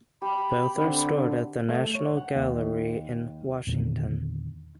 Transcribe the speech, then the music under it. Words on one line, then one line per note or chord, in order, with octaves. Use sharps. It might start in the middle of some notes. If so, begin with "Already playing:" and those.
Both are stored at the National Gallery in Washington.
G4 B5
D3 C4
A3
C#5
F#5
D#2
E2 A#2 D3 D#3